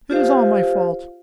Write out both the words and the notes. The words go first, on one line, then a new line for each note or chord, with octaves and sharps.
It is all my fault.
F4 G4 C5 F5